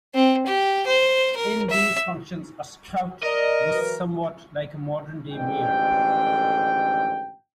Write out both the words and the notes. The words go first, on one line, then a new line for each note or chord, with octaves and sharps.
In these functions, a "schout" was somewhat like a modern-day mayor.
C4
G4
C5
A#4
E5
A#4 D5 D#5
E3 F#3 B4
A1 F2 G#2 D3 G5